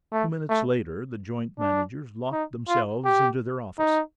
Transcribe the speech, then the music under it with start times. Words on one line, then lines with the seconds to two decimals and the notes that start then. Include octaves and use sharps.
Two minutes later, the joint managers locked themselves into their office.
0.13 A3
0.49 A3
1.59 D4
2.32 D#4
2.68 F4
3.05 G4
3.79 D#4